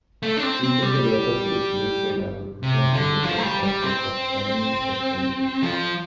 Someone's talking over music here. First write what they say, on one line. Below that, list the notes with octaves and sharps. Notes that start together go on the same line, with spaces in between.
Each of the daughters is beautiful and represents a different aspect of feminine sexuality.
A3
D4
C4
C4
G3
C3
D3
F3
A3
G3
G3
C4
F3